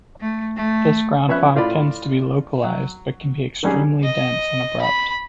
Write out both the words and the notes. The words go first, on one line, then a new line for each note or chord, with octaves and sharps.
This ground fog tends to be localized but can be extremely dense and abrupt.
A3
A3
F3 B3 C#4 E5 B5 F#6
A2 F4 D5 B5
F#3
D#3 F#3 G3 C#4 G4 G#4
D#5
B5